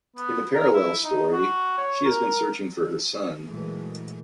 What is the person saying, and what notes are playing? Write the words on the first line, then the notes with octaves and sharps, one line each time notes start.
In a parallel story, she has been searching for her son.
B3
A#4
E4
D#4
F#4
C#5
A#4
A#2 E3 F#3 G#3 A3